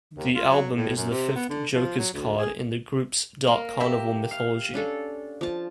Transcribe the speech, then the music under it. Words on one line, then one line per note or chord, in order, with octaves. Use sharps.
The album is the fifth Joker's Card in the group's Dark Carnival mythology.
D#2
F4
F#3
A2
F#2
C3
B3
D3
F3
F#3
D2
G#4
A#3
G4 E5
F5
C#4 D4 A4
F3 A5